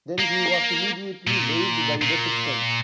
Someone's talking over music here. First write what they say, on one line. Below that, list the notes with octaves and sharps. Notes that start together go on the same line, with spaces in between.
Then he was immediately waived by the Pistons.
A#3
A#2
A#2